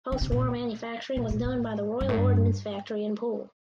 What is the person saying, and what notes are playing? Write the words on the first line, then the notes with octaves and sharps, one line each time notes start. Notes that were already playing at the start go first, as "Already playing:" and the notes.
Post war manufacturing was done by the Royal Ordnance Factory in Poole.
D3
C3
A#2
A#2
A#2
A2
G2
A2
G2